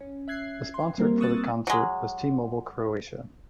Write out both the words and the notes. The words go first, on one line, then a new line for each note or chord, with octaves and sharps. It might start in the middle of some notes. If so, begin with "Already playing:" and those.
The sponsor for the concert was T-mobile Croatia.
C#4
E5 F#6 G#6 C7
C6
G3 A#3 C4 A#4
C#6 D#6 E6 F#6 A6
F#3 G#3